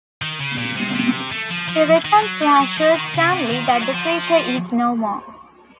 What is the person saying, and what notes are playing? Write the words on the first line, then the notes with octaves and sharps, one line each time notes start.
He returns to assure Stanley that the creature is no more.
D#3
C#3
A#2
C3
C3
A3
F3
F3
D#3
F#3
A3
F#3
F3
D#3
C#3
C3
D#3
F3
F#3
F3